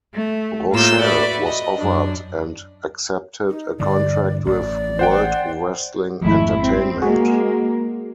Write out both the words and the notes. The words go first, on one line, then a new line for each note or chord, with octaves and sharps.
Rochelle was offered and accepted a contract with World Wrestling Entertainment.
A3
A2 A#3 F4 E6 G6
F#4 B4 D5 E5
D#5
F#2 D4
D#4
G2 D3 E3 D5
A1 D5
C5 F#5 G5
G#1 F2 G#3 A3 E4
C4
G#3 A#3 F#4 G#4